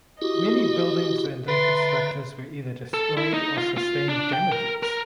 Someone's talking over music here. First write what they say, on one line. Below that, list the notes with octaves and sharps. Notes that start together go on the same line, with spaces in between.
Many buildings and infrastructures were either destroyed or sustained damages.
E4 F#4 G4 D#5
D3 B4 E5 A#5 C6
A4
E4
D#4
F4
F4
D4
G5
A#4
A#4